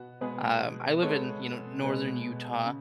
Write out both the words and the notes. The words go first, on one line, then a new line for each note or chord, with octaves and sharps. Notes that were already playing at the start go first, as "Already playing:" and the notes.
um, I live in, you know, northern Utah,
Already playing: B2 B3 F#4
B2 G#3 B3 G#4 B4
B2 G#3 B3 A4 C#5
B2 G#3 B3
C#3